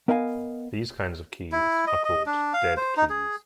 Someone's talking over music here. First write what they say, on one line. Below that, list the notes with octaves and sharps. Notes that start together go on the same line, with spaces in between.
These kinds of keys are called dead keys.
B3 A#4 D#5 F5 G5 G#5
E4
D#5
D#5
D4
F5
C5
D#4
G#4